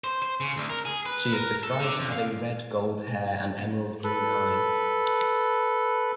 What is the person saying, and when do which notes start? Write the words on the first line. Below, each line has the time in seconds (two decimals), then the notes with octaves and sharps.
She is described having red-gold hair and emerald green eyes.
0.04 C5
0.22 C5
0.40 C#3
0.57 D2
0.70 A#4
0.85 G#4
1.06 B4
1.34 A#4
1.63 A4
1.80 D3
2.00 F2
2.12 F5
4.04 A4 B4